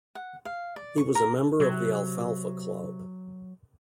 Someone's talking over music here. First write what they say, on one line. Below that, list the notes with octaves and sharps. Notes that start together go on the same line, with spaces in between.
He was a member of the Alfalfa Club.
F#5
F5
D5
C#6
A#4
C3 F#3